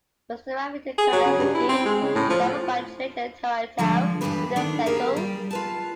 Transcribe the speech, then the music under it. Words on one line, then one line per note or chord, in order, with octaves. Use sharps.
First arriving in Quebec City, they travelled by train to Toronto where they settled.
G#4
F#3
C#3
G2
E4
C4
G#3
C#3
A2
F3
D3 F3 G3 G#3
E2 G2 A#2 D4 G4 B4
D#3 A3 D4
A#3 B3 G4 G#4 A#4
G3
F4 B4 A5